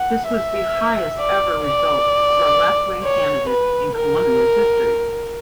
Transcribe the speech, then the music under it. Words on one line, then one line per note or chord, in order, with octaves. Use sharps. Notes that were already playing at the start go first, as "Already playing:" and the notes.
This was the highest ever result for a left-wing candidate in Colombia's history.
Already playing: F#5
E5
D5
D5
C#5
B4
A#4